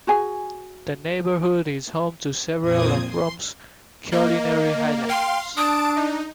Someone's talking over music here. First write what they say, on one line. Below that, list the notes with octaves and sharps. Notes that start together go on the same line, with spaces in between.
The neighborhood is home to several of Rome's culinary highlights.
F#4 G#4 G#5
F2 A#2 C4 D#6 G#6
C6
A#3 D#5
F5 G5 C6
D4 A5 D#6 D7
D#4